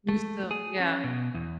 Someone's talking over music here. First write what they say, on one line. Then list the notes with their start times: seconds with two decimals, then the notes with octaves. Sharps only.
You still Yeah.
0.09 A3
0.51 G#4
0.80 C#4
1.04 B2
1.34 E2